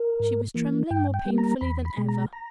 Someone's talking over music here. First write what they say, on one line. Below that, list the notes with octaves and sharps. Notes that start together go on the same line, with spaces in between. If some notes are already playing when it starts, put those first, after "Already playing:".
She was trembling more painfully than ever.
Already playing: A#4
G#2
E3 A#3
G2 G5
G5
G3 A#3
A#5
E2 B5
B5
B2 G#3
A#5
A#5